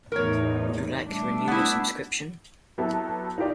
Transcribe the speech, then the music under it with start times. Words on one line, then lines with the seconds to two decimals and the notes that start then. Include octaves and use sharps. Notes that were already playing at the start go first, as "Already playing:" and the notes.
Would you like to renew your subscription?
0.12 E2 A2 D#4 A#4 C#5
1.07 G3 A3 D4
1.48 B3 E4
2.78 F#3 B3 E4 G4 A4
3.38 D#4 F4 G4 D5